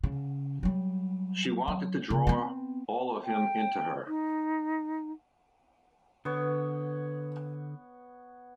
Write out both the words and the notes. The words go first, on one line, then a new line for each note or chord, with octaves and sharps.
She wanted to draw all of him into her.
C#3
F#3 G3
F#3
C#3
B3 C4
G5
D#4
D3 B3 C#5